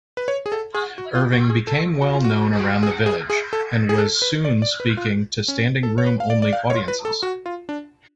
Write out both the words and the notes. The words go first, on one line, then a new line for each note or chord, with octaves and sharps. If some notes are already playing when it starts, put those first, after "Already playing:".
Irving became well-known around the Village, and was soon speaking to standing-room-only audiences.
B4
C#5
G#4
A4
G#4
F#4
F4
F#4
G#4
A4
F#4
F4
F#4
F#4
G#4
F#4
G#4
G#4
G#4
A4
G#4
A4
B4
D5
D5
B4
F4
C#4
A4
C#5
B4
F5
D5
D5
F5
C#5
B4
A4
F#4
F4
D4